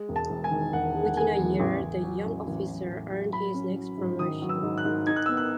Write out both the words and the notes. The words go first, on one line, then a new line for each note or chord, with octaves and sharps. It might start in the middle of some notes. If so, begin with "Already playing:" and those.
Within a year the young officer earned his next promotion.
Already playing: G#3
E1
A5
E1
G#5
D#3
E1 F#5
G#3
F#5
G#3 G#5
E2
A1
A1
F#3
A1
A1
F#3
A2
F#3
F#3 B5
C#4
F#3
G#2
D#3 D#6
F#3
E6
G#2
F#6
G#2
D#4 G#6
F#6
B3 E6
F#6